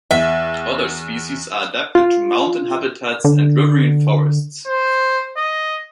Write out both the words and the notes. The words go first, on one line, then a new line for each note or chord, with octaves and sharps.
Other species are adapted to mountain habitats and riverine forests.
E2 E5
F4
D3
C5
D#5